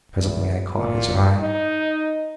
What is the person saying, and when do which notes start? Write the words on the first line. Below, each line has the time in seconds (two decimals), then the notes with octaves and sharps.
Presently I caught his eye.
0.19 E2
0.74 A#2
1.40 D#4